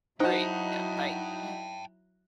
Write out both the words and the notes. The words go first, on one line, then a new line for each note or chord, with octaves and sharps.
Great. Yeah, bye. Mm
F#3 D#4 E4 F#4 C5 G5 A5